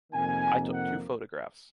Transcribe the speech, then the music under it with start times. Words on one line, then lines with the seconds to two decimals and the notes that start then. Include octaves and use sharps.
I took two photographs.
0.13 F2 C3 D#3 A#3 G#5
0.74 F#5